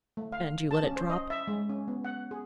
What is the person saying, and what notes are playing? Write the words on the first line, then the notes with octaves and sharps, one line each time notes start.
"And you let it drop?"
A3
F5
A5
C#4
C5
D#5
E5
G#3
C#4
B3
F#5
G#4